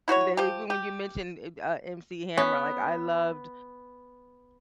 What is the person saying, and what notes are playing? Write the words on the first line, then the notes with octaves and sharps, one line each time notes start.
They even when you mentioned, eh uh MC Hammer, like, I loved
E4 F#4 C5 C#5
F3 G4
G4
B3 C#4